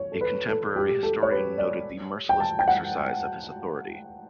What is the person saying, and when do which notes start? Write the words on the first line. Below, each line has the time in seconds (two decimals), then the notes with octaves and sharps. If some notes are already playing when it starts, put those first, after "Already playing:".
A contemporary historian noted the "merciless exercise of his authority".
Already playing: C#5
0.12 A4
0.21 B4
0.48 A4
0.76 G4
1.03 A4
1.23 C#5
1.31 B4
1.58 D5
2.29 G5
2.40 A5
2.59 G5
2.68 F#5